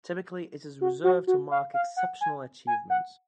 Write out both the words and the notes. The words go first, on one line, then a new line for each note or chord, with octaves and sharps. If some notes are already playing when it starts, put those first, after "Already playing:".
Typically it is reserved to mark exceptional achievement.
F#4
F#4
F#4
F5
F5
F#5
G#5
G#5
F#5